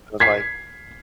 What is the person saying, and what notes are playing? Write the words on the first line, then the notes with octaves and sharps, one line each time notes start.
It was like,
G#6 B6 C7